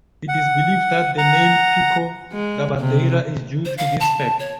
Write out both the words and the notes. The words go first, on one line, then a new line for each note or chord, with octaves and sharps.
It is believed that the name Pico da Bandeira is due to this fact.
F#5
F#5 A#5
G#3
C3
C5
F5
A5
C#5